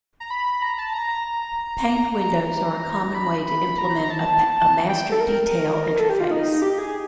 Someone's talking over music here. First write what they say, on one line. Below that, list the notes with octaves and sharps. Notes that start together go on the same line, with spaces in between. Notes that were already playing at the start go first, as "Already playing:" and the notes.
Paned windows are a common way to implement a master-detail interface.
A#5
B5
A#5
A5
A#5
A#5
A#5
B5
B5
A#5
A#5
A5
G5
A4
A#4
A4
G4
F4
D#4
G4
G#4